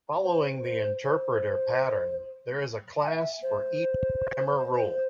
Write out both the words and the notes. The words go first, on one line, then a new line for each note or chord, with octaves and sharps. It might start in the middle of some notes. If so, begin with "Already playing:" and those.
Following the interpreter pattern there is a class for each grammar rule.
C5
C5
C5
G#5
E5
C5